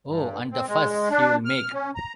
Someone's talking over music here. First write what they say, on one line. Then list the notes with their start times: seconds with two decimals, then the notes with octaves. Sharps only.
Oh, and the fuss he’ll make!
0.08 G2
0.52 C4
0.68 G#3
1.11 D4
1.45 F6
1.73 C#4
1.95 A#5